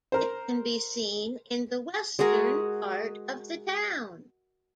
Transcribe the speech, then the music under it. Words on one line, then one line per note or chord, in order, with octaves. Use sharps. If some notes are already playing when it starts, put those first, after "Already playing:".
It can be seen in the western part of the town.
A#4 C5
G#3 F#4 G#4 A#4